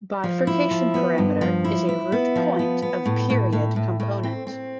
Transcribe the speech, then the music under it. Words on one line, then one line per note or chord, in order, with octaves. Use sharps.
Bifurcation parameter is a root point of period- component.
F3
E4
F3
B3
G2
F3
E4
E4
B3
F3
B3
B3
A2
A2
A2
A2
A2
C4
C4